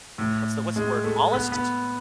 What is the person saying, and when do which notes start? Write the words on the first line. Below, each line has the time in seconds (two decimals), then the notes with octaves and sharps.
what's the what's the word- mollusks?
0.18 A2
0.76 G#3
1.04 A3
1.33 B3
1.52 B3